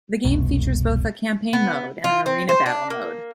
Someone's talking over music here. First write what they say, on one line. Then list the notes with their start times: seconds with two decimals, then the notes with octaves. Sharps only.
The game features both a "campaign mode" and an "arena battle" mode.
0.25 F1 C2 B2
1.53 B3
2.04 F4
2.26 C4
2.49 C5
2.66 D4
2.90 A#3